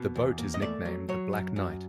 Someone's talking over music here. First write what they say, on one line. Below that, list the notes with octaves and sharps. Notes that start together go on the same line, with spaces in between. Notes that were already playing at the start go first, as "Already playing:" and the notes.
The boat is nicknamed "The Black Knight".
Already playing: B2 A#3
E2
A#3
D#5
A3 D5
F#3
F#3 C#5
F#2
F#2